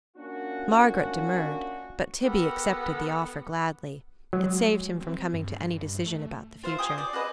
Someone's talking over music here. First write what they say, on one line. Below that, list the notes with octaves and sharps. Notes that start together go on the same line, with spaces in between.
Margaret demurred, but Tibby accepted the offer gladly; it saved him from coming to any decision about the future.
A#3 C#4 D4 F4 F#4
B3 G4 A4 A#4 F#5
F#3 G#3
C4
G2
A3
F4 C5 E5
G4 G5 G#5 D#6
D5
F#4 G#4 B4 D#5